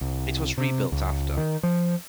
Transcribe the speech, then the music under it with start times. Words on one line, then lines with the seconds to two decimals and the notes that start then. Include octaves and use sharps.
It was rebuilt after.
0.01 C2
0.58 C3
0.92 C#2
1.37 D#3
1.63 F3